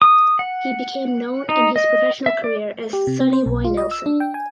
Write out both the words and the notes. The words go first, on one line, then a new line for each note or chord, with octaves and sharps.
He became known in his professional career as Sonny Boy Nelson.
D#6
F#5
D#4
D#5
E5
D5
G4
C3
C4
C5
B1
F4
D#5
E6
D4
G5
G#5